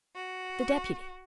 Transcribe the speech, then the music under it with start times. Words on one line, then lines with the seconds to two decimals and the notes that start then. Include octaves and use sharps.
"The deputy."
0.15 F#4